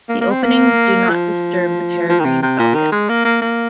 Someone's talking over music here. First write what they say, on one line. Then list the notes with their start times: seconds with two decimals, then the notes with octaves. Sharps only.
The openings do not disturb the peregrine falcons.
0.09 A#3
0.21 A#3
0.31 C4
0.43 A#3
1.09 F3
2.09 F3
2.20 D#3
2.25 C3
2.42 C3
2.59 A#2
2.75 D#3
2.92 G#3
3.09 A#3
3.25 A#3
3.41 A#3